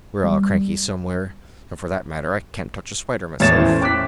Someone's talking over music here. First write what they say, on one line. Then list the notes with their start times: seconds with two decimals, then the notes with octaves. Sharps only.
We're all cranky somewhere, and for that matter, I can't touch a spider myself.
0.24 G3
3.40 E2 A2 C#5 A6 E7
3.53 A2 E3 C#4 C5
3.81 G5 D6 F#6 B6